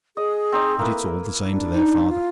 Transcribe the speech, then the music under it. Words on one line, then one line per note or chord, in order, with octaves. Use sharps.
But it's all the same to their father.
G#4 D#5
C4 D#4 D#5
A#3 E4 A4 B4
D4
D#4
F4